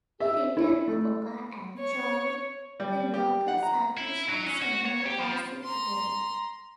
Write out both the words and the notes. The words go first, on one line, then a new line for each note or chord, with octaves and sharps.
He returned to Oka and joined the local Sulpician seminary as secretary.
E5
E4
A3
C#5
G3
G4
F#5
A#5
E4
F#3
C#4
F#4
C#5
G4
F3
A#5 C6